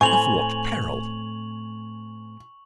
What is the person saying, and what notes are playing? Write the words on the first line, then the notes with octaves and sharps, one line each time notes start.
Of what peril?'
A2 C4 G#5 C#6 F7 F#7